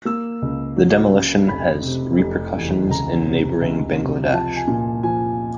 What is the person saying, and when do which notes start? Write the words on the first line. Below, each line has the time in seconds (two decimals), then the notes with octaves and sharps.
The demolition has repercussions in neighboring Bangladesh.
0.05 A#3 E6
0.42 C#2
0.76 F#3
1.13 C#3
1.48 F1 B5
1.84 C3
2.19 F1
2.55 E2
2.90 C#2 A#5
3.26 C3
3.62 C#2
3.97 C3
4.32 F3 A5
4.56 G#5
4.68 A#2
5.03 F3 G#5